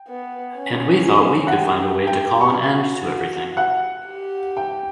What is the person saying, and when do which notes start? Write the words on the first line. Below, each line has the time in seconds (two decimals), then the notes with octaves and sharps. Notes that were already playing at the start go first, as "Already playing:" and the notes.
And we thought we could find a way to call an end to everything.
Already playing: G5
0.08 B3
0.58 C#4
1.47 F#5
1.57 G4 G5
2.07 G4 G5
2.41 C#6
2.57 F#4
3.57 F#5
4.07 G4
4.57 G5